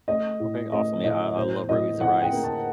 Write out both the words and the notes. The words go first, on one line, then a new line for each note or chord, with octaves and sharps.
M okay, awesome. Yeah, I I love red beans and rice
A3 D#5
A2
A3 D#5
A2 D#5
A2 C5
A2 D#5
A2 F#5
G5
A#3
A5